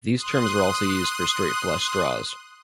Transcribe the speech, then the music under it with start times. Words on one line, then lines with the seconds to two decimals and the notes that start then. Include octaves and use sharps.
These terms are also used for straight flush draws.
0.15 C6 D#6 F#6